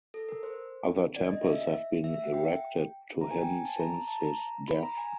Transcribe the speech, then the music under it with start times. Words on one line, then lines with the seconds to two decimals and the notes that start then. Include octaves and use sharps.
Other temples have been erected to him since his death.
0.14 A4
0.29 A#4
0.43 C5
1.16 D5
1.31 D#5
1.45 E5
2.04 E5
2.14 E5
2.23 F#5
2.34 G5
2.48 G5
3.21 A#5
3.31 G#5
3.41 G5
3.51 G#5
3.65 A5
3.80 A#5
3.95 A#5
4.08 A5
4.21 A#5
4.68 B5
4.83 A#5
4.97 G#5